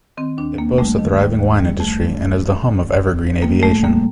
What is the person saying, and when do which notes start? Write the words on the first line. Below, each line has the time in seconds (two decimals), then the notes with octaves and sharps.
It boasts a thriving wine industry and is the home of Evergreen Aviation.
0.17 D#3 C4
0.38 D#2 D4
0.58 D#2 A#3
0.78 G3 A3
0.98 D#3
1.20 D#2
1.40 D#2
1.60 G3
1.80 D3 A3
2.00 D#2
2.21 D#2
2.42 F3
2.61 D3
2.81 D#2
3.03 D#2
3.23 F3
3.42 G3 A#3
3.63 A2 A3
3.83 G3 A#3